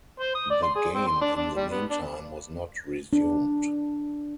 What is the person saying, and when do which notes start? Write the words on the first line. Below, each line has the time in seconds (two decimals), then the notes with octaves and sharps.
The game, in the meantime, was not resumed.
0.20 C5
0.35 D#6
0.50 D5
0.63 C6
0.76 G#4
0.94 C4
1.07 C6
1.21 D4
1.36 D4
1.56 G3
1.71 B3
1.90 D4
3.13 D4